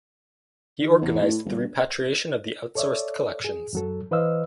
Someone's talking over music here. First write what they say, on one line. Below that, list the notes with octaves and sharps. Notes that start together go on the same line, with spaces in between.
He organized the repatriation of the outsourced collections.
D#3
E2
A2
G1
A4 C#5 D5 E5
G#4
F#2 F#3 A4
E3 B4 C5 D#5 F5 E6